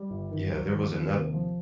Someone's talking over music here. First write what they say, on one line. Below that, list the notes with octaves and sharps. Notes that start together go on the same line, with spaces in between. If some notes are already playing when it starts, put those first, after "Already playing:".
yeah, there was another
Already playing: G3
G1
D#3
F#3
D#2
D#2
C3
F3